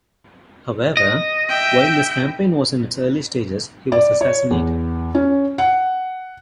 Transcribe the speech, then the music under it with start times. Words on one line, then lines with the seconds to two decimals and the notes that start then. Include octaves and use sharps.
However, while this campaign was in its early stages, he was assassinated.
0.97 D#5
1.49 E5 G5
3.92 D5
4.21 C#5
4.51 E2
5.15 C#4
5.58 F#5